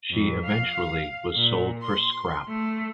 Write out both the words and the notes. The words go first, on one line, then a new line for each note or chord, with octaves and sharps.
She eventually was sold for scrap.
F2
F5
A#2
C6
A3